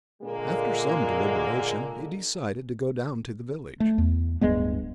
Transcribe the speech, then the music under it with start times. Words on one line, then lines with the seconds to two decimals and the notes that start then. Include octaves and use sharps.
After some deliberation he decided to go down to the village.
0.22 A#2 D3 G#3 A#3
3.80 A3
3.98 E2
4.41 D1 G2 G#3 B3